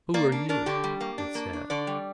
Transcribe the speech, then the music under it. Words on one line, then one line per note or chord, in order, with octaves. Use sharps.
"Who are you?" it said.
A#3 D5
D4
D4 A#4
D3 G4
G3
A#3
D4
A#3
D4
D3 D5
G3